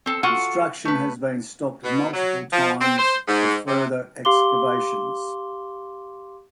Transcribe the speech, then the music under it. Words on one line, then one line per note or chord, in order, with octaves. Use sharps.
Construction has been stopped multiple times for further excavations.
C4 A4
F4 F#4 A4 F#5
A3 B4
B2
F#3
F3
C4
C5
G#2
C3
G4 F5 C6 D6 G7